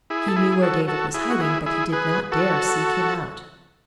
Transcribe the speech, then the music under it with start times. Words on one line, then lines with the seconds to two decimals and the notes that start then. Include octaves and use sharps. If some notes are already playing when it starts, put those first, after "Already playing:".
He knew where David was hiding, but he did not dare seek him out.
0.10 E4 G#4
0.28 A4
0.36 E4 G#4
0.52 G#4
0.62 F#4 A4
0.88 F#4 A4
1.14 E4 G#4
1.30 F#4
1.40 E4 G#4
1.66 E4 G#4
1.92 G#4 B4
2.32 F#4 A4